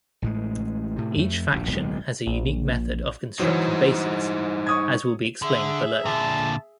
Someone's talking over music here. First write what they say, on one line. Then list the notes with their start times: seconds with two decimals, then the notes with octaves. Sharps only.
Each faction has a unique method of constructing bases, as will be explained below.
0.22 A1 A2 G#3
0.96 A2 C3
1.16 F2 A3
1.51 D1 A#1 C3
1.66 D1 B1 A#2 G#3
2.26 A#1
3.40 E3 F#3 G3 D#4 C5
4.66 C#6 D#6 G#6
5.42 D3 G#4 E5
6.06 A#2 D3 A5